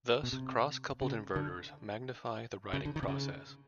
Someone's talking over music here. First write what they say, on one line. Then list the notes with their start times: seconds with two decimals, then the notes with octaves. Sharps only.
Thus, cross-coupled inverters magnify the writing process.
0.23 B2
0.33 C3
1.01 C#3
1.36 D3
2.73 C#3
2.85 D3
2.96 D#3
3.03 C3
3.08 C#3